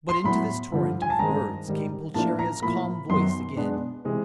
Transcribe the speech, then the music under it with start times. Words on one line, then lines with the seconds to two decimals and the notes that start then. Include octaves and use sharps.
But into this torrent of words came Pulcheria's calm voice again.
0.09 C6
0.24 A2 F#3 B3 B5
0.72 G2 D3 F3
1.02 G#5
1.10 A5
1.19 G2 D#3 G#3 C4 A#5
1.67 G#2 D#3 G3
2.14 A2 F3 A#3 D4 A5
2.39 A#5
2.62 A2 F3 A#3 B5
3.09 F#2 D#3 F#3 B3 C6
3.56 B2 G#3 B3 D4
4.05 C3 E3 G#3 C4